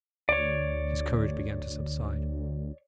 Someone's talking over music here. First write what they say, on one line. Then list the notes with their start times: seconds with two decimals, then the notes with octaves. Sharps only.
His courage began to subside.
0.29 D2 C#5 D5